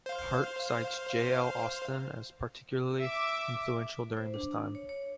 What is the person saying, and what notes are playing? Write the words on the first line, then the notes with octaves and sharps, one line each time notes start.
Hart cites J. L. Austin as particularly influential during this time.
C5 F5
E5 D6
C5
D4
C#5
C#5